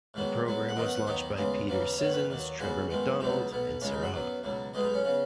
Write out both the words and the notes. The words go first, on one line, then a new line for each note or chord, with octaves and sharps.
The programme was launched by Peter Sissons, Trevor McDonald and Sarah Hogg.
G#2 D#3 F#3 B3
G#2 F#3 B3
F#5
F#2 D#3 B3 D#5
F#5
F#5
D#2 D#3 F#3 B3 D#5
D#2 C#3 G#3 B3
D#2 C#3 F#3 B3
F#2 D#3 B3 C#5
B4
D#2 D#3 F#3
C#2 C#3 G#3 B3 F#4
F#2 D#3 G#3 B3
C#2 B2 F#3 B3 D#4
B1 B2 B3
C#2 C#3 G#3 C#4
D#4
F#4
F#2 F#3 B3
C#2 B2 F#3
B1 B2 G#3 B3 D#5
D#4
C#4
C#3 B3